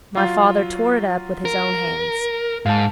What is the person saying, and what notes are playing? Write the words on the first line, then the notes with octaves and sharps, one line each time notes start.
My father tore it up with his own hands.
F#3 F4
A#4
G#2 F5 A5